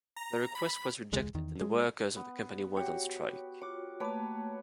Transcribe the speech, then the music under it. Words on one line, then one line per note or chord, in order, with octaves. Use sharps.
The request was rejected and the workers of the company went on strike.
A#5
B5
E1 C#2 G#3
E2 D#3
G#3
B3
F#4 G4 C#5
F4 F#4 C#5 D6
A3 A#3 B4 C#5 A5 D6